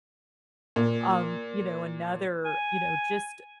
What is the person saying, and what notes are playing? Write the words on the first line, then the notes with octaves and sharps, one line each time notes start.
um, you know, another, you know, just
A#2
G#5